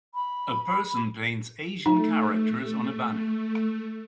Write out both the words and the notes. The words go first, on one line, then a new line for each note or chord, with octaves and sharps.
A person paints Asian characters on a banner.
B5
A3 D#4